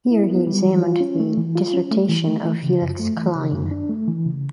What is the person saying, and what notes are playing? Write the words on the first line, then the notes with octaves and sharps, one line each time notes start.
Here he examined the dissertation of Felix Klein.
E4
B3
G3
E3
F4
C#4
A3
E3
F4
C#4
A3
E3
A3
E3
C#3
F#2
A3
E3
C#3
F#2
D4
A3
E3
C#3